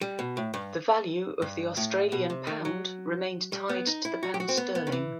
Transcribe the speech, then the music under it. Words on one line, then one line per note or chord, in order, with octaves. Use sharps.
The value of the Australian pound remained tied to the pound sterling.
G3
B2
A2
G2
G2
A2
B2
C3
D#3
F#3
G3
B3
D#4
E4
F#4
G4
F#4
C4
B3
B3
D#3
E3